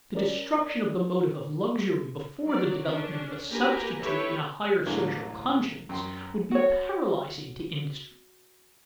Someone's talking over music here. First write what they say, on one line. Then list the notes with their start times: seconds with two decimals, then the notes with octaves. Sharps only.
The destruction of the motive of luxury before the development of a substitute in a higher social conscience, would be paralyzing to industry.
0.15 C#4 A#4 D5
2.47 F#3 D5
2.83 C#4 D4
3.50 A#3 F#4 G4 B4 G#5 A#5
4.00 E4 G4 A4 B4 C#5 E5
4.86 A1 E2 D3 F#3 G#3 A#3
5.89 F#2 G5 C6
6.51 F#4 C#5